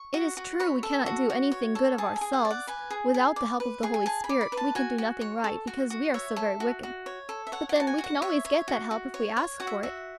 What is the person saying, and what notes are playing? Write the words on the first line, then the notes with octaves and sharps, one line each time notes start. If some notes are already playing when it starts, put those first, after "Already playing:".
It is true we cannot do anything good of ourselves; without the help of the Holy Spirit we can do nothing right, because we are so very wicked; but then we can always get that help if we ask for it.
Already playing: C#6
F#4
F#4
C#5 B5
A4
F#4
F#4
C#5
A4
G#4 A5
G#5
G#4
F#5
D5
F#5
B4 G#5
G#4
G#4
D5
B4
G#4
G#5
G#4 A5
B5
D5
B5
B4
A5
F#4 G#5
F#4
C#5
A4
F#4
F#4
C#5 E5
A4
F#4
F#4
C#5
A4
E5
C#5 F#5
F#5
F#4 A5
G#5
F#4
F#5
C#5 E5
C#5
F#4
F#4
C#5
C#5
F#4 F#5
E5
F#4 E5